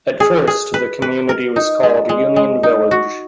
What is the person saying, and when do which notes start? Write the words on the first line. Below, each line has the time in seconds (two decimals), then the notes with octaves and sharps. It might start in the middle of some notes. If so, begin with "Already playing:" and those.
At first the community was called Union Village.
0.20 G#4
0.47 G#4
0.74 B4
1.02 B4
1.29 A#4
1.56 D#4
1.83 G#3
2.09 G#3
2.36 G#3
2.63 D#4
2.91 F#4